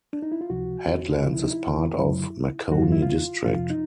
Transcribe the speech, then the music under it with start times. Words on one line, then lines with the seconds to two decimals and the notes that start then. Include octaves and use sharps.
Headlands is part of Makoni District.
0.13 D4
0.22 D#4
0.32 E4
0.41 F4
0.50 C#2 C3 F3 F#4
1.24 C#2 C3 F3 F4
1.34 E4
1.42 D#4
1.51 E4
1.97 F#2 D3 F#3
2.71 F#2 D3 F#3 F#4
2.82 F4
2.92 E4
3.02 F4
3.45 F2 C3 F3 F4
3.70 D#4